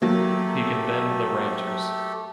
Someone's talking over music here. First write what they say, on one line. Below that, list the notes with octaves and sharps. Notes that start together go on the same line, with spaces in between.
He condemned the Ranters.
F#3 A3 A#3 G4 A4